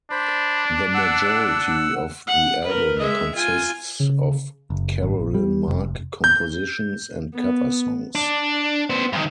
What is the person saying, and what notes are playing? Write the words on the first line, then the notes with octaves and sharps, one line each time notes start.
The majority of the album consists of Carolyn Mark compositions and cover songs.
D4 C5 B5
F#5 E6
F#5
A#4 B4
G#3 E5
F4 G#5
C#3
F#1
G#1
A#1
G3
F1
G6
B3
D4
B3 C5
G2 D#3